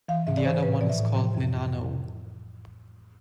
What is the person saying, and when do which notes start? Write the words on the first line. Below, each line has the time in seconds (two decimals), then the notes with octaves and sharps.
The other one is called nenano.
0.08 E3 F5
0.27 G#2 E5
0.37 D5
0.45 E3 C5
0.63 A2 B4
0.80 F3 D5
0.89 E5
0.99 A2
1.16 F3
1.35 F2
1.53 F2